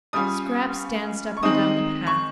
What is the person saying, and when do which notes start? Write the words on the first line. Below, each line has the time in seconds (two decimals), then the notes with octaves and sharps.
Scraps danced up and down the path.
0.13 G3 C#4 F4 D#6
1.37 C#6
1.43 D#3 G#3 C4 D#4 D#6
2.07 C#6